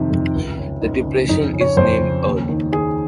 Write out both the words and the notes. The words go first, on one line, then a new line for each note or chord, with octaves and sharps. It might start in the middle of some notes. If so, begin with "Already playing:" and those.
The depression is named Earl.
Already playing: F2 C3 D#3
F2
C#2
C#3
C#2 D#4
C#3
F2 D#4
C#3
C#5
F2 C5
C#3
D#2
D#3
D#2 G#4